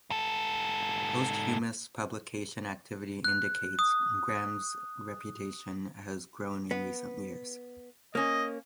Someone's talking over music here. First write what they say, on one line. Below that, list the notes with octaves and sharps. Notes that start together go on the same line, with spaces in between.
Posthumous publication activity indicates, Graham's reputation has grown in recent years.
G#2 A4
F#6
D#6
B3
A#3 C#4 D#5